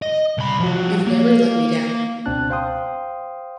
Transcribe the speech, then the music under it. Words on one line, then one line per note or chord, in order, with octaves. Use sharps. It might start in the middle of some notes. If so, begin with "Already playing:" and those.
You’ve never let me down.
D#5
C2 B5
F3 F#4
A#3
C#2 B2 C4 D4 A5 F#6
C5 F5 G5 C6 D#6